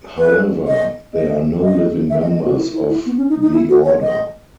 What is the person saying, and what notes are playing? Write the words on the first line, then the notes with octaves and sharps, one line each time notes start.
However, there are no living members of the order.
B4
D#5
D#5
D#5
E5
D#5
D#5
F#4
E4
E4
E4
B3
C#4
D#4
D#4
E4
F#4
C#5
D#5